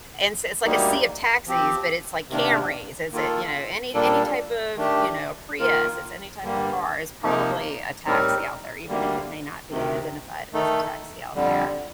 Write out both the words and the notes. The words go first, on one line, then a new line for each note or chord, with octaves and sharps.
and so it's, like, a sea of taxis, but it's like Camrys, is is it, you know, any any type of, you know, Prius, it's any type of car. It's probably a taxi out there even if it may not be identified as a taxi out there.
D2 D3 G3 A#3 D#4
F3 C4 G4
C3 D#3 A#3 D4
D#3 A#3 F4 A4
A#2 G3 A#3 D4 A4
D#3 A3 D4 G4
D#3 A#3 F4 A#4
G2 D3 G3 A#3
C3 F3 A#3 D#4
A2 G3 C4 D#4 A#4
D2 D3 G3 A#3
D2 C3 D#3
D#3 A3 D#4 A4
F2 D3 G3